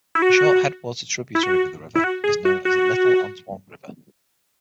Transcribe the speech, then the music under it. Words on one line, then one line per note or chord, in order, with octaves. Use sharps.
A short headwater tributary of the river is known as the Little Antoine River.
E4
F#4
E4
F#4
E4
F#4
G#4
F#4
F#4